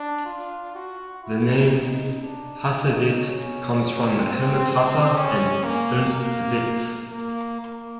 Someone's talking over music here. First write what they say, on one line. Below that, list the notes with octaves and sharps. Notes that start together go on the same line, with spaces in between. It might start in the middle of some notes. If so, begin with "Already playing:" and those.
The name "Hasse-Witt" comes from Helmut Hasse and Ernst Witt.
Already playing: D4
F4
F#4
E4
D#4
D4
D#4
C#4
C4
C#4
A#3
A#3
A#3
A#3